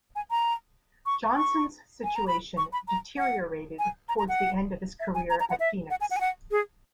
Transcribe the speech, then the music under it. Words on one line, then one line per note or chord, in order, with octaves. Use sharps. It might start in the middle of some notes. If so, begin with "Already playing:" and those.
Johnson's situation deteriorated towards the end of his career at Phoenix.
G#5
A#5
C#6
C#6
G#5
A#5
B5
C#6
B5
A#5
F#5
G#5
A#5
A#5
F#5
E5
G#5
A#5
A#5
F#5
E5
F#5
G#5
F#5
G#5
F#5
G#4